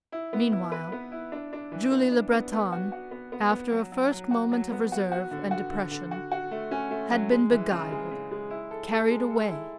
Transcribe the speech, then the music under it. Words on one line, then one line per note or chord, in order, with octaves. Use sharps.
Meanwhile, Julie Le Breton, after a first moment of reserve and depression, had been beguiled, carried away.
E4
B3
E4
B4
B3
E4
D4
D4
E3
B3
D4
B3
B3
F#4
F#4
B3
B3
B3
F#3
F#3
F#3
F#4
F#3
B3
F#4
F#4
D3
F#4
D3
D3
F#4
F#4
A3
C#4
A3
F#3
G#3
E3
C#3
G#3
C#3
G#3
E4
A4
A4
G#3
A4
E4